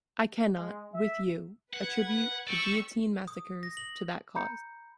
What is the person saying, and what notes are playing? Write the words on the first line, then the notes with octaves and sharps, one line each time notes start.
I cannot, with you, attribute the guillotine massacres to that cause.
G#3
E5
B4 F#5 G#6
D5 G5 C#6 E6
D#6
A#6
F#7
A#5 B5 G6 C#7